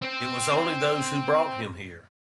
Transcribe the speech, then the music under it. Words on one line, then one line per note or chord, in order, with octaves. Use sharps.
It was only those who brought him here.
C4 C5